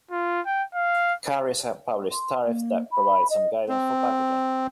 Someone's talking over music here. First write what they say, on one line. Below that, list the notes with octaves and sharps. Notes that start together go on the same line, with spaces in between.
Carriers have published tariffs that provide some guidance for packaging.
F4
G5
F5
C6
A#3
B5
D#5
C4